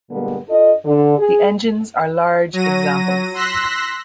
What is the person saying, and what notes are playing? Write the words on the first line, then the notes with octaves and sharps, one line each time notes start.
The engines are large examples.
A#2 D3 G3 G#3 A#3 B3
D4 F4 A4 D#5
D3
G#4
F#3 A#6 D#7
C6 E6 F#6 A#6 B6